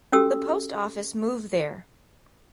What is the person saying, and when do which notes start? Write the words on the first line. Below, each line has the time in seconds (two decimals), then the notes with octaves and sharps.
The post office move there.
0.12 C#4 F#4 G4 A4 D#6 E6